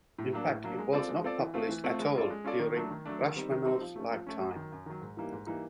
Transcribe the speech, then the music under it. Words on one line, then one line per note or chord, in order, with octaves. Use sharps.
In fact it was not published at all during Rachmaninoff's lifetime.
A2
F#3 A#3 D4
A2
F#3 A#3 D4
G#3
C4 F4 A4 D5
G#3
C4 F4 A4 D5
E3
A3 C4 F4
E3
A3 C4 F4
G#3
C#4 F4 A4 D5
G#3
C#4 F4 A4 D5
D#3
F#3 A3 D4
D#3
F#3 A3 D4
D#3
G3 C4 D#4
D#3
G3 C4 D#4
F3
A3 C#4
F3
A3 C#4
F#2
D#3 F#3
F#2
D#3 F#3
G#2
E3 G3 A#3 D#4
G#2
E3 G3 A#3 D#4